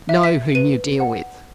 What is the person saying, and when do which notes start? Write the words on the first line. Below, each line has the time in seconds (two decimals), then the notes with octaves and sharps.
Know whom you deal with.
0.09 E5
0.23 B6
0.55 B4 D#7
1.00 F#5